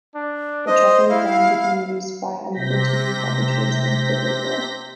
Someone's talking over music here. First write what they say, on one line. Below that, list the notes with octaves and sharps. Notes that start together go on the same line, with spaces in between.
The Chuckery ground became used by another team called the Tradesmen's Cricket Club.
D4
C5 D#5
E4 F5
C3 G6 A#6 B6